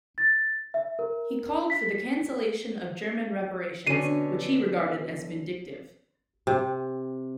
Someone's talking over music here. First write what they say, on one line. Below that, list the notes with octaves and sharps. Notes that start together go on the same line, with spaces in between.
He called for the cancellation of German reparations, which he regarded as vindictive.
A6
E5
A#4
B6
B2 D3 C#4 C7 D#7
C3